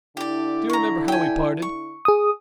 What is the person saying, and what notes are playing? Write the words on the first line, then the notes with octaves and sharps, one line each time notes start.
Do you remember how we parted?
D3 D4 E4 G4 D5
A#5 C#6
G5 G#5
C#6
G#4 D#6